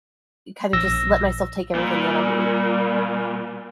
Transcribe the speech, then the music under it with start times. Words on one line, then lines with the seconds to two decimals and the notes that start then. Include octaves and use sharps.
kinda just let myself take everything in, I mean.
0.73 A#1 E6 A#6
1.75 A#2 G3